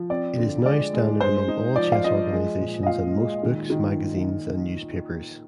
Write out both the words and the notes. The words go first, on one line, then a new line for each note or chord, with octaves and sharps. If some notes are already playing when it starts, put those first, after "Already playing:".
It is now standard among all chess organizations and most books, magazines, and newspapers.
Already playing: F3
C4 D5
D3
G#3 D5
G#3
G#3 C5
D#4
F3 D5
F5
F3 D#5
G#3
A#2
D#5
A#2 F5
G#3
D#3
D#3